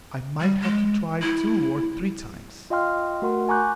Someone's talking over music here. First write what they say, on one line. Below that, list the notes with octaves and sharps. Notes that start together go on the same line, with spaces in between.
I might have to try two or three times.
G3
G#3
E4
F4 D#5 F5 G5 C6 F6
A3 F#4 A#4 F#5 C6
G#5 A#5 C#6 D6 F#6 G6